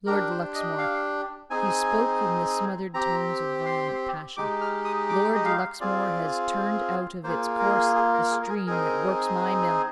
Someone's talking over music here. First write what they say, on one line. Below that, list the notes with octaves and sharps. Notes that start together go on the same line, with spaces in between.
"Lord Luxmore." He spoke in the smothered tones of violent passion. "Lord Luxmore has turned out of its course the stream that works my mill."
D4 G4 A#4
C5
D#5
F5
C4 D#4 G#4 G#5
C4 G4 A#5
C6
G#3 D#4 G4 D6
F6
D#6
D6
D#5
F5
C4 F4 G#4 D5
A#3 F4 G#4 C5
A#4
G#4
A#4
G#4
A#4
G#4
C4 D#4 G#4 A#4